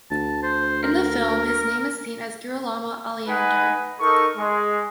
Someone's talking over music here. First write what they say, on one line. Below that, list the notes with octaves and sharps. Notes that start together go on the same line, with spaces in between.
In the film, his name is seen as Girolamo Aleander.
D2 A5
C5
A#4
D#4 B4 F#5 G#5
D#4 A4 A#4 C#6
G#3